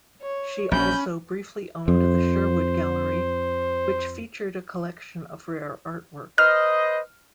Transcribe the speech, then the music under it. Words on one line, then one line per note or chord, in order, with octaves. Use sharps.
She also briefly owned The Sherwood Gallery, which featured a collection of rare artwork.
C#5
A#1 F#3 C#4 B5 G6
F2 C5
B4 C5 D#5 F6